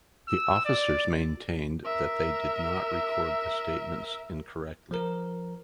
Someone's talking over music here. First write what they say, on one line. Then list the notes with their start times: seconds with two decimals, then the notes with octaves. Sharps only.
The officers maintained that they did not record the statements incorrectly.
0.28 E6
0.65 D5
1.85 A#4 E5
4.91 F3 A#4